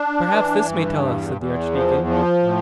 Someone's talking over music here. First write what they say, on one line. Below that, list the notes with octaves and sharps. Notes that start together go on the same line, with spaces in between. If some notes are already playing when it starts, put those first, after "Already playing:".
"Perhaps this may tell us," said the Archdeacon.
Already playing: D4
E3
G2
E2
E2
F3
F3
A2